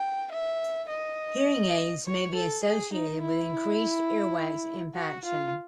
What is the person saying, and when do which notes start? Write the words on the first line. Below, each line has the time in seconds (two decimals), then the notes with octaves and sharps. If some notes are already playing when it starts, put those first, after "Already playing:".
Hearing aids may be associated with increased earwax impaction.
Already playing: G5
0.32 E5
0.90 D#5
2.06 C#5
2.35 A4
2.64 G#4
2.93 D#4
3.22 E4
4.95 F#4
5.25 F4